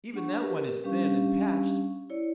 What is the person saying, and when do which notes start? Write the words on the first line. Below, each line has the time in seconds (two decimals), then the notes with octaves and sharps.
Even that one is thin and patched.
0.14 D4 F#5 C#6
0.40 G4 A#4 B4
0.84 G3 C#4 D4 G4 F5 C#6
2.10 E4 C#5 D5